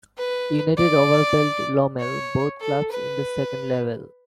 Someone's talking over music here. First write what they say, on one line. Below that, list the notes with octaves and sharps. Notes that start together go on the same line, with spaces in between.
United Overpelt-Lommel, both clubs in the second level.
B4
D5
C#5
A4
B4